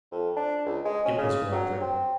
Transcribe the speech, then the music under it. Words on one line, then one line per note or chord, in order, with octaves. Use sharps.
It was Waldron.
F2
D4
C#2
G#3
C#4
C#3
F#3
C4